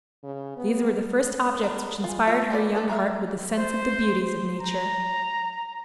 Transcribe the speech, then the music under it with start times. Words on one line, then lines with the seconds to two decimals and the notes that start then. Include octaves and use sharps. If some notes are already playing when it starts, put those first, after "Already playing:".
These were the first objects which inspired her young heart with a sense of the beauties of nature.
0.24 C#3
0.57 B3
1.63 B3 D4 A#4
2.04 F4 G#4
2.27 F4 C#5 E5
2.50 G#3 B3 A4 D5
2.75 D4 A4 D5
2.88 A#3 A#4 E5 F5
3.58 C5
4.61 A#5